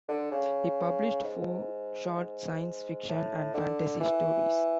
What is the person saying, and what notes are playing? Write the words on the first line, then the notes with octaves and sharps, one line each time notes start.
He published four short science fiction and fantasy stories.
D3
C#3
G#2
G#2
A2
D3
E3